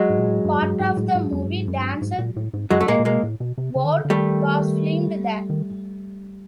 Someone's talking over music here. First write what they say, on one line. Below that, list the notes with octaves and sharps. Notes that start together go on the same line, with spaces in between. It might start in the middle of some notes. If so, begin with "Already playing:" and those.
Part of the movie "Dances with Wolves" was filmed there.
Already playing: F#3 G#3
G#2
A#2
A2
G2
G2
G#2
A2
G#2
F2
G2
G#2
F#2
G2
G#2
A#2
A2
G#2
F#2 F#3 G#3
A3
A#2 G#3 A#3
A#2
B2 G#3 A#3
A2
B2
C3
C#3
D#3
D3
D3
D#3 G3 A3
D#3